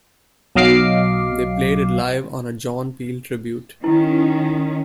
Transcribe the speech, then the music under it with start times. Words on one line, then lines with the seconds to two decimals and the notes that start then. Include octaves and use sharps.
They played it live on a John Peel tribute.
0.55 B1 F#3 D#5 F5 D6 C7
3.84 D#3 C#4 E4